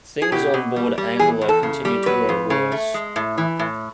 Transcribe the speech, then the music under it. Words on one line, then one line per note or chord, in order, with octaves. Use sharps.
Things onboard "Angler" continued to grow worse.
G#4
B2 G4
B2
G3
G3
E3 G#4
E2
A4
C#3
G3
F#3 B4
F2
C#3
A3
G#3
A2
E3
A2